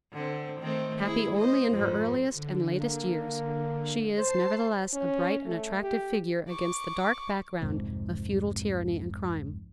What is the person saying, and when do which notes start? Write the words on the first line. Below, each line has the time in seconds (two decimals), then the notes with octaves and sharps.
Happy only in her earliest and latest years, she is, nevertheless, a bright and attractive figure against the dark background of feudal tyranny and crime.
0.13 D3 C4
0.61 D#3 A3 C4
1.03 E4 G#4
1.38 C5 D#5
1.71 F2 G#2 C4
2.34 D3
2.80 A#3
4.18 C5 A5 C7
4.93 C#4
5.46 A3
5.82 G4
6.49 C#6 D6
7.61 C2 F2 G#2 C3